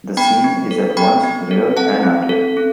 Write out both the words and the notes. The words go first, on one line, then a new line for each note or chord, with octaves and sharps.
The scene is at once real and unreal.
B3 G5 B5
B3
A4
B3 G5 B5
B3
A4
C4 F#5 A5
C4
A4
C4